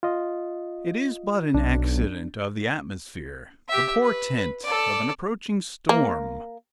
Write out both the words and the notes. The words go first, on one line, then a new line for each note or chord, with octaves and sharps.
It is but an accident of the atmosphere--the portent of an approaching storm.
F4 D#5
B1 D4
G4 E5
B4
A4 D5
A#3